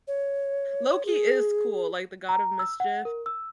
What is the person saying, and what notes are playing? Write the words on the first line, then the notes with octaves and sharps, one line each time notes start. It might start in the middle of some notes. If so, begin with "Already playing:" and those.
Loki is cool, like the god of mischief.
C#5
G#4
A#5
E6
F#5
A#4
E6